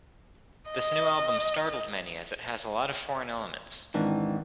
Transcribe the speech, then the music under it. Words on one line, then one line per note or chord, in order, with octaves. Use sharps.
This new album startled many, as it has a lot of foreign elements.
D#5
G#2 D#3 E3 C4 D4